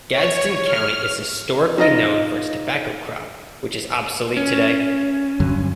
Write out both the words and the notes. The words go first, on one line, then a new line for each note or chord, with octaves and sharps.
Gadsden County is historically known for its tobacco crop which is obsolete today.
C#5
F6
D#4 F4 D#5
C#4
G2 D3 F#3